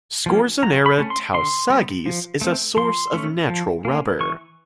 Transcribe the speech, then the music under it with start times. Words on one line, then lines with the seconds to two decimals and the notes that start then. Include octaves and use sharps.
"Scorzonera tau-saghyz" is a source of natural rubber.
0.26 F3 A#3 C#4
0.63 F#3 A#5
0.86 B5
0.98 A3 C#4
1.10 C6
1.34 D3 C6
1.70 G3 B3
2.06 F3
2.41 A3 C4
2.77 F3 C6
3.13 A3 C#4
3.49 F3
3.85 A#3 C#4
4.20 E3 C#6